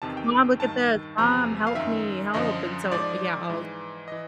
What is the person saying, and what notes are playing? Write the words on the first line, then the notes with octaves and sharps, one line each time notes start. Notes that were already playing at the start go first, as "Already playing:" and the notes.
"Mom, look at this." "Mom, help me, help," and so, uh, yeah, I'll
E2 C3 D#3 A5
G5
G2 D#3 A5
E2 C3 F3 A#5
F5
F#2 D#3 E5
F#2 D3 F3 D#5
G#2 F3 D5
G#2 E3
E3 D#5